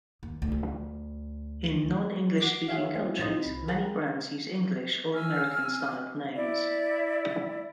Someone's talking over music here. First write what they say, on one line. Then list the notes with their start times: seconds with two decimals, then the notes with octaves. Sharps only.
In non-English-speaking countries, many brands use English- or American-styled names.
0.23 D#2
0.42 D2
2.38 F#4 D6 C7
2.68 F4 F#4 G#4 C#5 E5 F5
2.94 F#3 A#3 C4 C#4 E4 F4
3.19 A2 E3 F3 C4 D#4 F4
3.43 C2 B5
3.68 G4 G#4 A#4 F#5
5.13 G#5 E6 F6
6.34 E4 D5